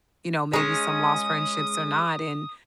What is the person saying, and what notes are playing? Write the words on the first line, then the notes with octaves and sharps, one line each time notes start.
you know, maybe some lost friendships or not." And,
G#3 C#4 D#6